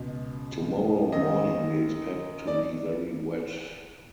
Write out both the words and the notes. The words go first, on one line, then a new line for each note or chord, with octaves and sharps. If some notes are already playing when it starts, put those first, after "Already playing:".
Tomorrow morning we expect to be very wet.
Already playing: C#2 B2
F#2 D#3 D#5
D5